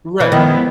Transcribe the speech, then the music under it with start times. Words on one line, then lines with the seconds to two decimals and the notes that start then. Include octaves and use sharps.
Right, right, right.
0.20 E3
0.31 D#3 F3 G#3 B3 E4